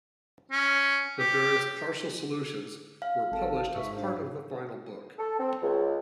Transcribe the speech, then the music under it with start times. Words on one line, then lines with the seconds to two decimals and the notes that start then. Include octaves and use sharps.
The various partial solutions were published as part of the final book.
0.51 C#4
1.19 G4
3.02 F5
3.31 G#1 A4 A5
3.75 G#2 E5 C#6
3.94 D4 C5 F5
5.18 A4
5.39 C4
5.62 C#2